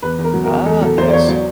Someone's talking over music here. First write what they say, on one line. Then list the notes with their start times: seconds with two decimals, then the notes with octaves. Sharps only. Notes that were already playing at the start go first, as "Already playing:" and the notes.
Ah, yes.
0.02 E2 B4
0.18 E2
0.24 A#4
0.34 F#3
0.45 A#4
0.50 E2
0.66 E2 A4
0.82 F#3 A4
0.98 E2 C5
1.09 D5
1.13 E2 C#5
1.29 F#3 D5